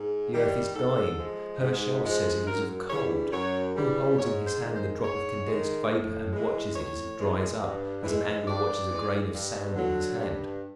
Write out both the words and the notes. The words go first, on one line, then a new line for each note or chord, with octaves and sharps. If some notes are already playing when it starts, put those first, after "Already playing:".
The earth is dying; Herschell says it is of cold; who holds in his hand the drop of condensed vapor and watches it as it dries up, as an angler watches a grain of sand in his hand?
Already playing: G#2
D#3 G3
G#2 A4
F3 G#3
G#2
F3 G#3
F#2 A#4
C#3 E3 G3 C#5
F#2 C#5
C#3 E3 G3
G#2 C#5
C5
D#3 G#3
C5
G#2 C#5
D#3 G#3
A2
E3 G#3
A2 C#5
E3 G#3
G2
E3 G#3
G2 D5
E3 G#3
G2
D3 F#3
G2